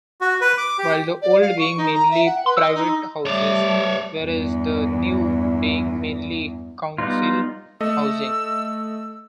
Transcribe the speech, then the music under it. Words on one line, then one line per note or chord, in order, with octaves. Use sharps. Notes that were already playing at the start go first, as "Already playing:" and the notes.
With the 'old' being mainly private houses whereas the 'new' being mainly council housing.
F#4
B4
D6
G4
D5
F5
C#6
D#4
A#5
E5
F#5
B4
D#5
D#4
G3 A3 C#5 D5
E2 G2
G3 B3 D#4 F4
A3 D#5 E6